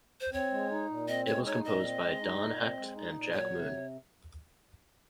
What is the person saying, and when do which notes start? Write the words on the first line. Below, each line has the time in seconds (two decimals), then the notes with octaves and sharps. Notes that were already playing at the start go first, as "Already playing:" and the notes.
It was composed by Don Hecht and Jack Moon.
0.20 C5
0.33 C4 C#5
0.51 G#3
0.71 D#4
0.89 A#2
1.08 C4 D#5
1.26 G#3 C#5
1.46 D#4 C#5
1.64 A#2 D#5
1.83 C4
2.02 G#3
2.21 D#4
2.40 A#2
2.59 C4
2.78 G#3
2.96 D#4
3.14 A#2
3.33 F#3 C#5
3.52 C3